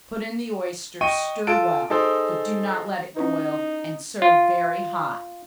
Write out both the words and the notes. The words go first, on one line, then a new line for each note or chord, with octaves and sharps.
Put in the oysters, stir well, but do not let it boil, and serve very hot.
D#5 G5 C#6 D#7
F4 A4 A5 D7
D#4 G#4 A4 C5
C#4 D#4 E4 B4
F4